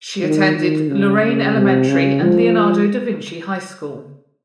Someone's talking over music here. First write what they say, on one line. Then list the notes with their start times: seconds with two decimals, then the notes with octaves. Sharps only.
She attended Lorraine Elementary and Leonardo da Vinci High School.
0.23 D#3
0.56 D#3
0.89 C#3
1.22 C#3
1.55 C3
1.88 C#3
2.21 F3